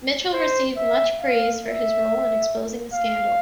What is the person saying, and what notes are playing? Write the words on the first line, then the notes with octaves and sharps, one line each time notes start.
Mitchell received much praise for his role in exposing the scandal.
C5
E5
F5
E5
F5